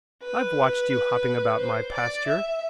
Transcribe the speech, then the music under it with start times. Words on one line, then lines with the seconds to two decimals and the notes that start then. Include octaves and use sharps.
I've watched you hopping about my pasture.
0.23 B4
1.59 C5
1.92 D5
2.26 E5